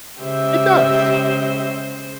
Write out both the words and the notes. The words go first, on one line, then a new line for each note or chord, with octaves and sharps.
It does.
C#3 G#3 G4 C5 E5